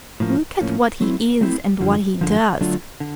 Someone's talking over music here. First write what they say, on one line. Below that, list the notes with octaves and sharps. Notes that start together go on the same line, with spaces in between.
Look at what he is and what he does!
A2 F3 A#3 C#4
A2 F3 A#3 C#4
F#3 A3 C4 E4
F#3 A3 C4 E4
F#2 D3 F3
F#2 D3 F3
D3 F#3 A3 D4 F4
D3